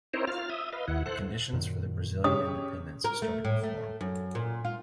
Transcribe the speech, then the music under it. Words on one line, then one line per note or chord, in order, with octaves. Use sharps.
The conditions for the Brazilian independence started to form.
C4 D#4 E4 A#4 C5 C#5
F4 F6
E5 D#6
B4 D#5 F5
D#2 E4 F#5
A4 C5 F#6
F#2 A#2 D#3
C#3 G4 C#5 D#6
A#4
A3
A2
A3
F#2
A#2
F4